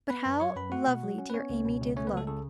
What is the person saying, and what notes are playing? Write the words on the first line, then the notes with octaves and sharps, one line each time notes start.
But how lovely dear Amy did look.'
B3 B4 B5
F#2
F#3 C#5 C#6
F#2 B4 B5
A3 F#4 F#5
B2
F#3
C#4
B4
B3 C#4 C#5
C#2
B2
C#2
A3 C#4 C#5
B3 B4
C#2 A4
C#3 A4